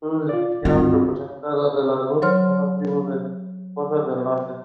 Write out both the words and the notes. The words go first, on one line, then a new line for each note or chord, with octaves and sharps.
It is recorded between Lisbon and Madeira.
F4 D5
G2 C4 F4 F#4
F#3 C5 C#5 C6 F6